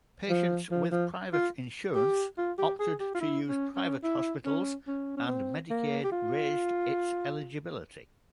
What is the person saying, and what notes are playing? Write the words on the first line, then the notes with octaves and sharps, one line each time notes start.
Patients with private insurance opted to use private hospitals and Medicaid raised its eligibility.
F3
F3
F3
F4
G4
F4
G4
G#4
G4
F4
E4
C#4
C#4
E4
C#4
C#4
C#4
C4
A#3
G4
F4